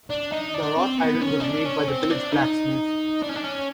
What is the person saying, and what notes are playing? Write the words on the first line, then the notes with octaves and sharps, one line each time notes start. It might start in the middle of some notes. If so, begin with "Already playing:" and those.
The wrought iron was made by the village blacksmith.
D4
D#4
D4
C4
B3
C#4
D#4
D4
C#4
C4
D4
D#4
D4
C#4
D4
C#4